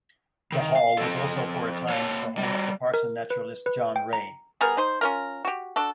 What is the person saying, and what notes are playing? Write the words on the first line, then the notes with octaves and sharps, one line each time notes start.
The hall was also for a time the home of the parson-naturalist John Ray.
D#3
F5
F3 A4
A#3 C#5
G3 F#4
A#4
B4
B4
G5
A#5
G3 B3 G#4 A#4
D#4 C5
C#4 F4 A#4
F#4 G4
D4 F#4 A4